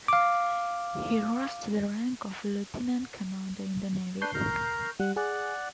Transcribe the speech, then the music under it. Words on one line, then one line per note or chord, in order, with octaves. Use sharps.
He rose to the rank of lieutenant commander in the Navy.
F5 D6
D4 B4 C#6 G6 C7
A#4 A#5
G3 F#5
G#4 D5 F#5